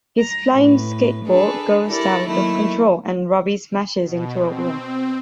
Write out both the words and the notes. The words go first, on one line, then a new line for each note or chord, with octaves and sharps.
His flying skateboard goes out of control and Robbie smashes into a wall.
A#5
A2 B4
D4 G#4 A4 B4
E4 G4 A4 A#4 D5
D#3 F#3 A3 A#3 E4
B2
C4